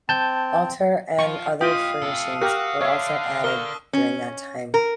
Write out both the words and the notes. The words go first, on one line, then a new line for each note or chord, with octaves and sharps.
Altar and other furnishings were also added during that time.
C4 A5 G6
F3 F4 C#6
F4 G4 D#5 F5 G5 D#6 F#6 D#7
C3 A4 E6
F#4 G4 A#4 F#6
D4 A4 C#5 E5
A#4 C#6 F6 G7
C#4
A#4